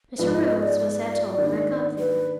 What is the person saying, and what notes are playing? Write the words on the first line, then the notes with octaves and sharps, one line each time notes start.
Mr. Reynolds was at home when I got there.
G#2 F3 B3 F4 B4
D#5
D#5
D5
D5
D#3 A#3 D4
B4